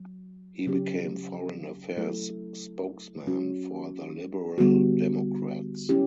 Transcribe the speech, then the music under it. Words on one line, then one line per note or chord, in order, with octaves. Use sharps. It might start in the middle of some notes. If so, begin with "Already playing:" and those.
He became Foreign Affairs spokesman for the Liberal Democrats.
Already playing: F#3
C#3 F#3 C#4 G4
F#3 A3 E4 A4
F#3 C#4 F#4
D3 G3 B3 F#4
F#3 C#4 E4 G4